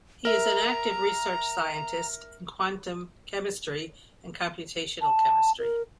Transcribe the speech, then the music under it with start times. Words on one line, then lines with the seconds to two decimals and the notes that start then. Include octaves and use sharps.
He is an active research scientist in quantum chemistry and computational chemistry.
0.25 A#4 E5 A#5
5.01 A5
5.59 A#4